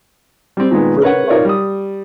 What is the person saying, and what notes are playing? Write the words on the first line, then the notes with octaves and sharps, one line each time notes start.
Pretty much
G3 C4
A#2 D#3 G#3 B3
A#4 B4 C#5 F#5
D#4 F4 A#4 C#5 D5
G3 D#6